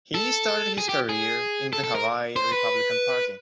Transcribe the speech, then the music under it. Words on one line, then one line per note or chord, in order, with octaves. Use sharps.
He started his career in the Hawaii Republican Party.
A4
G#4
G4
G#4
A4
A4
A#4
C5
B4